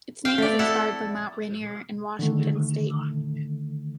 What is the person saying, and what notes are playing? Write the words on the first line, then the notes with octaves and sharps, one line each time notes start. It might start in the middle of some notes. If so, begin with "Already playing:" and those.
Its name was inspired by Mount Rainier in Washington state.
F5 G5
A3 C4 D5
E4 A4 F#5
D3 D#3 A3